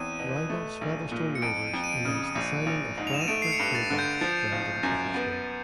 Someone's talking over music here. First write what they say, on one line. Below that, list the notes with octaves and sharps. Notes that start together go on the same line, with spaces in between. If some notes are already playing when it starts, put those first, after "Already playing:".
Rivals Featherstone Rovers announced the signing of Bradford fullback Brandon Pickersgill.
Already playing: E2 C4 D#7
B2
A3
A#1
A#2
C#7
F2 D7
F2
D#7
D7
C#3
A#1
A#1
G#2
F7
E7
D#7
A3 D7
C7
C#7
G2
A6
D3
G6
F3
F#1
F#2
B3